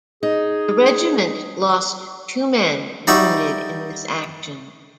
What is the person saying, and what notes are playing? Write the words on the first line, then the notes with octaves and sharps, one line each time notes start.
The regiment lost two men wounded in this action.
D#4 G#4
G3 D#4 E5 F#5 C#6